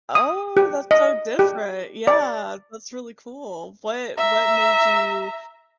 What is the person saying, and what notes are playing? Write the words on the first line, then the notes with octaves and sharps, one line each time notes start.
Oh, that's so different. Yeah, that's really cool. What What made you
D#6
G4
D#5
G4
D5
E5 A#5